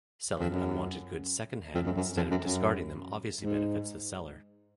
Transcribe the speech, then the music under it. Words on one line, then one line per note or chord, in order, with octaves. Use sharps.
Selling unwanted goods secondhand instead of discarding them obviously benefits the seller.
F2
F#2
F2
F#2
F#2
F2
F#2
F#2
G#2